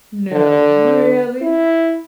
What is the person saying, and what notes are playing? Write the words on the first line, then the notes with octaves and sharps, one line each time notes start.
'No, really?
D3
E4